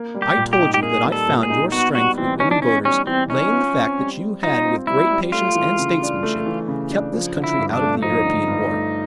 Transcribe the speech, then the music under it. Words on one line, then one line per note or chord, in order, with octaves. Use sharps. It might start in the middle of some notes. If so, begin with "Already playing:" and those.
I told you that I found your strength with women voters lay in the fact that you had with great patience and statesmanship kept this country out of the European war.
Already playing: A#3
G3
G4
A#2
G4
D#4
G4
A#3 G#4
G3
A4
A#2
G#4
D#4
B3 F#4
G3 F#4
E3 C4
C#4 D#4
D4
B3 C#4
G3 C#4
E3 C4
C#4 D#4
F4
C4
G3
G3
D#4 F4
C4
G3 E4
G3
A3 F4
E3
C#3
D4
A3
E3
C#3
D4
F3
D3
E4
G2
D4
A3
F3 D#4
D3
G2
A3